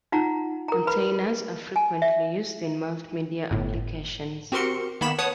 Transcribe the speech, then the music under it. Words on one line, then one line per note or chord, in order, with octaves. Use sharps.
Containers are frequently used in multimedia applications.
D#4 F4 F#5 A#5
A#4 A#5
B4 B5
G#5
E5
G1 A2
C4 F#4 G4 A#4 C6 C#7
D#3 A#3 B3 B5 B6 E7
B4 C#5 F#5 A5 D#6